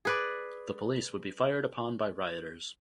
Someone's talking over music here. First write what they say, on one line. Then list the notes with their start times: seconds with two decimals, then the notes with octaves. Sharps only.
The police would be fired upon by rioters.
0.05 G#4 B4 D5